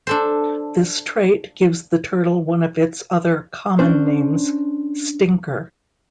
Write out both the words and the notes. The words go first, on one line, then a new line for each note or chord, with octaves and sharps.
This trait gives the turtle one of its other common names, "stinker".
D4 A4 C5
C#4 D4 C5